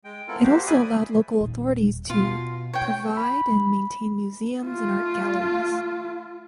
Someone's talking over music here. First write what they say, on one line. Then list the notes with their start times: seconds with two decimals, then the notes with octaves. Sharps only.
It also allowed local authorities to "provide and maintain museums and art galleries".
0.04 G#3 G5
0.28 B3 C4 E4 F4 A4 A#4
0.44 A#3 F#4 G4 C5
0.67 D5 E5 G#5 B5 D#6
1.41 D#1
2.10 B2 F4
2.74 C#5 G5
3.17 B5
4.62 A3 F4